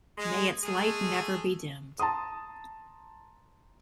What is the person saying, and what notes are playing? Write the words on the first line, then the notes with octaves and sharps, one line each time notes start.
May its light never be dimmed.
G#3
G#3 A3 G#4
A5 A#5 C6 D#6